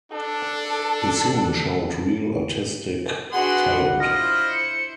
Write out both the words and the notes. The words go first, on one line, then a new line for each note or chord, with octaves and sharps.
He soon showed real artistic talent.
D4 A4
D4 F#4 G#4 B4 F#5 C6
E4 F4 C5 D#5 B5 A#6
C#7